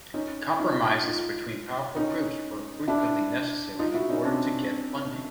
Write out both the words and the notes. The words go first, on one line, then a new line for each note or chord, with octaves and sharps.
Compromises between powerful groups were frequently necessary in order to get funding.
C#4 D#4
D#4 F4
D#4 F4
C#4 D#4
D4 E4
D#4 F4
E4 F#4
C#4 D#4
C4 D4